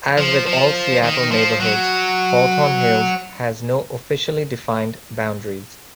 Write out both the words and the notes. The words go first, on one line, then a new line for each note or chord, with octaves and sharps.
As with all Seattle neighborhoods, Hawthorne Hills has no officially-defined boundaries.
F3
F3
D#3
F3
F#3